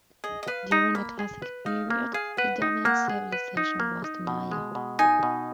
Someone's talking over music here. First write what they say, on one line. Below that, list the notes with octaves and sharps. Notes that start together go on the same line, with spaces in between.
During the Classic period the dominant Civilization was the Maya.
G#4 D#5
D#5
B4 F5
D#4 A#5
A#3 B5
G#4
B4
D#4 F5
A#3
G#4 F5
B4 F#5
D#4
A#3 F#5
G#4
B4
D#4
A#3
D#4
B2
G#3
B2
D#4 G#5
B2